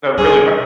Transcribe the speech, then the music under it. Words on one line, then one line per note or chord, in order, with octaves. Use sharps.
that really h
G3 G#4